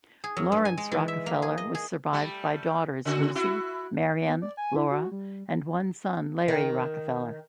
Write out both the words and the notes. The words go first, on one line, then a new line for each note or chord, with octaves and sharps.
Laurance Rockefeller was survived by daughters Lucy, Marion, Laura, and one son Larry Rockefeller.
G#4
F#2
G2
G#5
G#3
E3
E5
A#3
G#4
D#5
G#4
G3 A3
C#3 F#4
E4 F#4
B3
D5
G#5
E4
F#4
G3
D#3